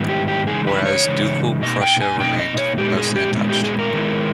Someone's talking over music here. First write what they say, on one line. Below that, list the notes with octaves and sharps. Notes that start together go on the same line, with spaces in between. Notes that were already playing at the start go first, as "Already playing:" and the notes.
Whereas Ducal Prussia remained mostly untouched.
Already playing: G#2 D#3 G3 B3 E4
G4
G4
C#3 E3 G#3 D#4 G#4
B4
C#5
C#3 E3 G#3 D#4
B2 A#3 D#4 D#5
G5
G#5
B2 A#3 D#4 G5
D#5
C#5
A#2 G#3 B3 D#4 G4
G#4
G4
A#2 G#3 B3 D#4
G4
G#4
A#4
D#3 G#3 B3 E4